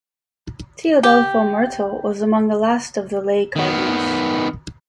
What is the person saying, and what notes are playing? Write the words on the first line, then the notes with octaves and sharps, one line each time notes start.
Teodolfo Mertel was among the last of the lay cardinals.
G4
D#3 B3